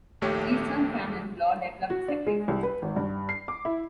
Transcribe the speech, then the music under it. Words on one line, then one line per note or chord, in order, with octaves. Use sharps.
Eastern canon law developed separately.
A#1 D#2 A3 G4 C#5
F#4
D4
G#3
C2
B4
G#1
G2
C7
D6
E4